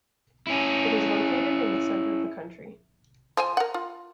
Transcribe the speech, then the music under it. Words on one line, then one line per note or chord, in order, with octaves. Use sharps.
It is located in the center of the country.
C#4 E4
F3 C5 G#5
A#4 F#5
F4